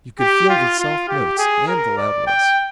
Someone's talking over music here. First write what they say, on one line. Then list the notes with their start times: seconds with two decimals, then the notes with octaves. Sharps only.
You could feel the soft notes and the loud ones.
0.20 G4
0.49 F4
0.79 F4
1.08 G4
1.38 G#4
1.68 A#4
1.97 D5
2.27 G5